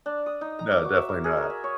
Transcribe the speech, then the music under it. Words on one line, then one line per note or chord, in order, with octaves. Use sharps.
no, definitely not,
D4
D#6
D#4
A#5
D6
F#4
E5
A#4
G#4
A#4
E5
C#5